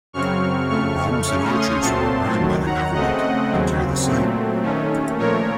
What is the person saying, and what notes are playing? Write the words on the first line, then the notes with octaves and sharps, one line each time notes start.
Homes and orchards were burned by the government to clear the site.
F#2 C#3 F#3 C4 C#6 F6
F2 C#3 A3 C#6 F6
C#3 A3 C#4 C#6 F6
C6 D#6
A#2 F#3 A3 C4 A5 C6
F#2 D#3 F#3
F#5 A#5
C#3 A3 C4 D#5 F#5
D#5 F#5
D#2 C#3 F#3 C4
A#2 F#3 A3 C4
D#2 D#3 A3 C#4
A#2 F3 A3 A#4 C#5